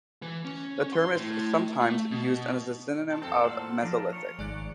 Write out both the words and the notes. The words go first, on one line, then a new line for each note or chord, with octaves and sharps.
The term is sometimes used as a synonym of "Mesolithic".
E3
C#4
C6
A2
A3
B2
B2 A5
F2 A#2 C4 A4
A2 A#3 C5 F#5 A5
F3 D4 D#4 A#4 C5
C#5
G#1 D#3 G#3 D5 F#6